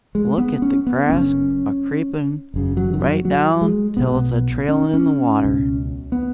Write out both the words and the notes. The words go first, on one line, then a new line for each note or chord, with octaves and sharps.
Look at the grass a-creepin' right down till it's a trailin' in the water!
G#3
B3
C#4
B3
F#1 F#2 C#3 C#4
F#1 F#2 C#3
F#3
D#3
F#3
F#3
G#3
B1 B2 B3
C#4
C#4
C#2 B2
B3